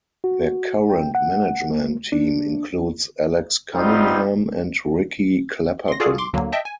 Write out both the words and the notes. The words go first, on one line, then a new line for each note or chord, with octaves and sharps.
Their current management team includes Alex Cunningham and Ricky Clapperton.
F#4
G5
F#5
A#3
D4
G3 B3 C4 D#4 F4
C6 A#6
F4 F#4 G#4 A4 D5 F5
C6 D6
D2 D3 F#3 A#3
D#5 E5 G5 A5
G#5